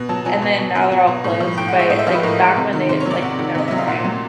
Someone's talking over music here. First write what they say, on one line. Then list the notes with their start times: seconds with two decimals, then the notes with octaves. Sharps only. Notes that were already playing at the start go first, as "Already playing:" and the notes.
and then now they're all closed, but, like, back when they, like, in their prime,
Already playing: B2
0.09 F#3 A5
0.25 F#3 G#5
0.42 B2
0.58 B2
0.75 F#3
0.92 F#3
1.07 B2
1.24 A2
1.40 F3
1.58 A2 G5
1.69 F#5
1.74 G#3
1.79 E5
1.90 A2 D#5
1.99 E5
2.07 F3 F5
2.14 B4
2.23 A2 A#4
2.39 G#3
2.56 C3
2.73 D#3
2.89 C3 C5
3.00 C#5
3.06 F#3
3.11 D5
3.22 C3 F#5
3.39 D#3
3.55 C3 D#5
3.68 F#3 E5
3.78 F5
3.88 A#2 F#5
4.04 F#3